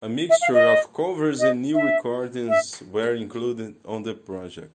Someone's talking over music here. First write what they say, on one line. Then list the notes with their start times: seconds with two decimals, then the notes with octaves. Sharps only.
A mixture of covers and new recordings were included on the project.
0.29 E5
0.41 F5
0.53 D#5
1.38 D#5
1.75 E5
2.47 E5